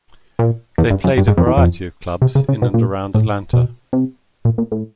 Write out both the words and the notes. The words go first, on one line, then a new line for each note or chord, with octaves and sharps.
They played a variety of clubs in and around Atlanta.
A#2
E2
G2
F#2
G2
G#2
F2
E2
F2
C3
C#3
C#3
B2
A#2
A2
B2
C3
A#2
A#2
A2